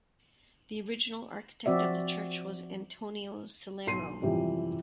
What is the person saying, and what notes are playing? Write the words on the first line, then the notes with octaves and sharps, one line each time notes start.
The original architect of the church was Antonio Sillero.
F3 C4 F#4 D5 E5
B1 C6 C7 D#7
F#2 C3 E3 F3 G3